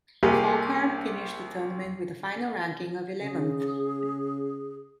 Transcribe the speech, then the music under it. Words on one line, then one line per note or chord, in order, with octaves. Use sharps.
Folkard finished the tournament with a final ranking of eleventh.
C2 A#3 G4 G#4
C#3 G#4